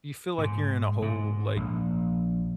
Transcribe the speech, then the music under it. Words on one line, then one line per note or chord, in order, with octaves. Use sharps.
You feel like you're in a whole, like,
G#2
G#2
A#1